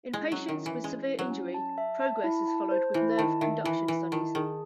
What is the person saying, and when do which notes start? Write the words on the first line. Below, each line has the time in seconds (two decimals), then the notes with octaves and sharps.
In patients with severe injury, progress is followed with nerve conduction studies.
0.13 G#3 E4
0.32 F#3 C#4
0.49 D#3
0.61 E3 E4
0.84 G#3 C#4
1.08 E4
1.19 F#3
1.30 C#4
1.54 A5
1.78 E5
2.00 A5
2.24 E4
2.48 A5
2.71 C5
2.94 E3 E4
3.18 D#3 A5
3.41 D#3 E5
3.64 E3 E4
3.88 E3 E4
4.12 D#3 A5
4.35 D#3 G#4